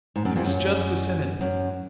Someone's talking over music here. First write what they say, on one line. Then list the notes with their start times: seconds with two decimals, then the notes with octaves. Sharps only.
There is justice in it.
0.16 G#2
0.25 F#2
0.36 F2
0.45 F#2
1.41 F#2